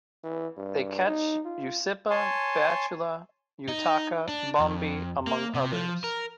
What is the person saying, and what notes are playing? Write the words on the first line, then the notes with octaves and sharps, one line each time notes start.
They catch usipa, batala, utaka, bombe among others.
E3
G2
D#4
F4
C#5 G#5 A5 C6
D#4
D4
F2
A#3
C3
F3
A#4